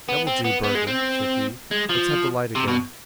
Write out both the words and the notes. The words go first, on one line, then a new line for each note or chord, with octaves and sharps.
"That will do, Burger," said he, "let's have the light again."
B3
C4
B3
B3
G#3
C4
G#3
F3
C3
B2